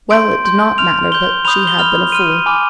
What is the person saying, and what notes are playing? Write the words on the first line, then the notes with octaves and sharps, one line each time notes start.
Well, it did not matter, but she had been a fool.
C6 G6 D7
C6 G6
C6 F6 F7
C6 G6 G7
B5 D#6 G6 F7
G7
B5 F6 F7
C6 F6 D#7
G#5 B5 D6 F6